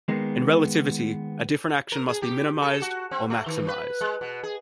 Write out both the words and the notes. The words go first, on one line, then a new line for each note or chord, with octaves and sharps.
In relativity, a different action must be minimized or maximized.
D#3 G#3 A#3 B3
A#4
G#4
G4
A4
F#4
C4
A3
D#3
B4
G#3
B2
G#4